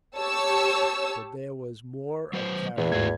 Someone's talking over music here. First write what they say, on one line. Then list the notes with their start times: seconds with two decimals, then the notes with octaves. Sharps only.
But there was more of character.
0.17 G4 C#5 A5 E6
2.33 F#3 B4 C5
2.77 E2 A#2 E3
2.92 D#2 G#2 A3 F4 F#4 G#6